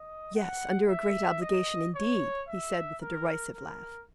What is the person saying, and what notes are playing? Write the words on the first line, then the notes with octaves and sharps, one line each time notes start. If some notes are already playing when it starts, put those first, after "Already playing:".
"Yes, under a great obligation, indeed!" he said with a derisive laugh.
Already playing: D#5
F#5
E5
D#5
C#5
E5
A#4
A#4